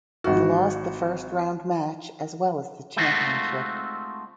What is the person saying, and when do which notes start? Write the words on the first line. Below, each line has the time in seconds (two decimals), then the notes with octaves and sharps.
He lost the first round match as well as the championship.
0.24 G#1 F#4
2.97 G#3 A3 C4 D#4 F4 F#4